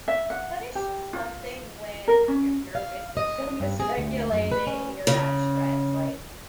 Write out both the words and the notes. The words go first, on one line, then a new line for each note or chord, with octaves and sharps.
but it's just something when your nervous system is regulated and you're not stressed, like,
E5
F#5
G4
F4
A#4
C#4
F5
D#5
G2
G#4
D2
F#2
B4
C#4
C#3